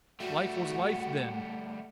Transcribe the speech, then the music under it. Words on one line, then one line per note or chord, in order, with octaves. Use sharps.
Life was life then!
G3 A3 F#4 F#5